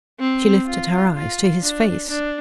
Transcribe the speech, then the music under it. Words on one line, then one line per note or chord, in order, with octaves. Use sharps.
She lifted her eyes to his face.
C4
F4
F4
D4
D4